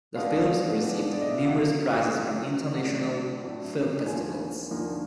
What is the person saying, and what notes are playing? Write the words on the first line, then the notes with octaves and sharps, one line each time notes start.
The films received numerous prizes from international film festivals.
B2 G#3 B3 D4 F5
B2 G#3 B3 D4
D5
D#5
E5
F5
E2 C#3 F#3 F#5
E2 C#3 F#3
A2 F#3 A3 D4 F#5
A2 F#3 A3 D4
D#2 D3 F3 A#3 G#5
D#2 D3 F3 A#3